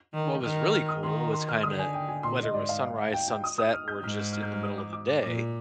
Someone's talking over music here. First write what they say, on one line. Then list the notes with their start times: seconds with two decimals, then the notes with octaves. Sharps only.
what was really cool was kinda, whether it was sunrise, sunset, or just in the middle of the day
0.14 D#3
0.43 D#3 F6
0.73 F6
0.89 D#6
1.03 D#3 C6
1.18 A#5
1.33 C6
1.49 F6
1.63 D3 D#6
1.79 G#5
1.94 G5
2.08 G#5
2.23 A#2 C6
2.43 D#5
2.54 G#2 D5
2.69 F5
3.13 G5
3.28 G5
3.44 D#6
3.58 D#6
3.73 F6
3.88 G6
4.03 G#2 F6
4.33 F6
4.43 G6
4.53 F6
4.63 D#6
4.78 D6
4.93 D6
5.08 D6
5.23 A#2 D6